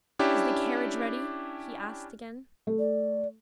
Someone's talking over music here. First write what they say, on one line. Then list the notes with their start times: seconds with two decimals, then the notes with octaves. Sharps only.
"Is the carriage ready?" he asked again.
0.19 C#4 D4 E4 G4
2.67 A3
2.79 D5